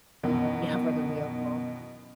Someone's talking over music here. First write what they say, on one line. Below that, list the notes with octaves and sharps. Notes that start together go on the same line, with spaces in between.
Yeah, for the vehicle.
F#2 B2 D#3 E3